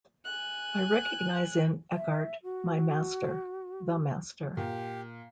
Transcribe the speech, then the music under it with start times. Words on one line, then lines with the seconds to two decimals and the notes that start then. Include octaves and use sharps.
I recognize in Eckhart my master, the master.
0.25 G#5 F#6
1.93 E5
2.43 F#4
4.57 A#2 G4